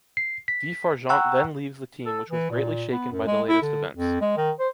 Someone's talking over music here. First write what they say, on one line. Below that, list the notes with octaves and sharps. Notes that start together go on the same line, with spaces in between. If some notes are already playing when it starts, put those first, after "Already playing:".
Vif-Argent then leaves the team which was greatly shaken by the latest events.
C7
B6
F#5 G5 A#5 C#6 E6 F#6
A4
E3
A#2
B3
F#2
G#3
E4
D3
F2
G#3
D#3
C5